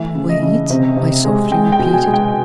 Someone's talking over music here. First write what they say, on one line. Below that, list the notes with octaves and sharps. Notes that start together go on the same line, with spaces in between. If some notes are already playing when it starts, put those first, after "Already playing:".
"Wait?" I softly repeated.
Already playing: E3 A3 E5
C#3
D#5
C#3
C3
C3
G#3
G#3 G5
G5
B2
G#5
G#3
G5